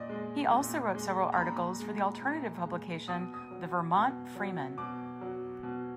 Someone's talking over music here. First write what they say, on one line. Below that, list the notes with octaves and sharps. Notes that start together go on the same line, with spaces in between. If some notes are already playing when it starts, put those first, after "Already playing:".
He also wrote several articles for the alternative publication "The Vermont Freeman".
Already playing: A#2 D5 D#5
G#3
A#2
G#3
A#5
A#2 B5
G#3
A#2
G#3
B2 D#6
D#6
F#3
B2
F#3
B2 D6
F#3
B2